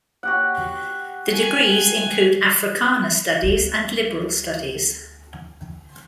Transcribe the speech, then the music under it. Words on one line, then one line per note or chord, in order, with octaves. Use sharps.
The degrees include Africana Studies and Liberal Studies.
F#4 G4 F#5
G#5
D2 B3